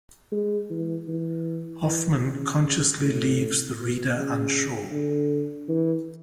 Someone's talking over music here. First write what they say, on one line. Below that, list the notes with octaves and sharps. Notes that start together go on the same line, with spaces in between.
Hoffman consciously leaves the reader unsure.
G#3
E3
E3
E3
C#3
C#3
A2
B2
C#3
D3
E3